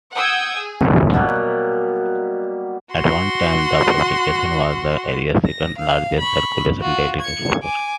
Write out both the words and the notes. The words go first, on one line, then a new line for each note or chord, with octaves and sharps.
At one time the publication was the area's second largest circulating daily newspaper.
F#5 G5 D#6 E6 G6 G#6
G#4
B2 F#3 G3 A#3
F#4 C6
A#6
F5
B5 C#6
F4 F#4
G#6 C#7
G#5 D6